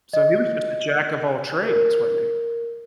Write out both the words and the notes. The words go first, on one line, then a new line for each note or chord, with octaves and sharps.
So he was just a jack-of-all-trades, wasn't he?
D#5
A#4